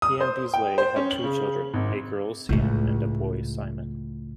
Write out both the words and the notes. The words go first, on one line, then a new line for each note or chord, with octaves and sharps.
He and Beazleigh had two children, a girl Sian and a boy Simon.
D#6
C5
G5
C5
C#4
F#7
C#3
G#1
C#2 A2